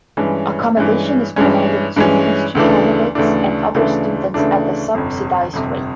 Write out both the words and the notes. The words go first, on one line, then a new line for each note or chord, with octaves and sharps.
Accommodation is provided to ministry candidates and other students at a subsidised rate.
G2 E3 G#3 C#4
G2 E3 G#3 C#4
G2 E3 G#3 C#4
G2 E3 G#3 C#4
D2 C#3 E3 A3 D4
D2 C#3 E3 A3 D4
D2 C#3 E3 A3 D4
D2 C#3 E3 A3 D4
G1 F2 C3
G1 F2 C3